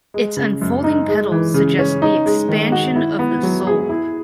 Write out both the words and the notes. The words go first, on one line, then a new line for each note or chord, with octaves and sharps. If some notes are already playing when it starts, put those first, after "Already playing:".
Its unfolding petals suggest the expansion of the soul.
G#3
C#3
F#2
D#4
G#3
E3
C#3
C#4
D#4
G#3
D#3
F#4
E4
B3
F#3
G#4
E4